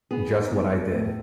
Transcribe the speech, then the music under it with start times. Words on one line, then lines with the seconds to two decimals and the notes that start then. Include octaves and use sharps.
Just what I did.
0.11 B3 G#4
0.52 B3
0.92 A2